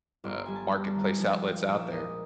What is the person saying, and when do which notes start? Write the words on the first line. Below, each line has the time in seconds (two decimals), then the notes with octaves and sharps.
uh, marketplace outlets out there
0.24 G1 C6
0.46 G3 G#5
0.56 A5
0.71 G3 A#5
0.87 A5
0.95 D#3
1.04 G#5
1.19 F3 A5
1.43 G#3 G5
1.67 A#1 F5
1.79 E5
1.91 A#2 D#5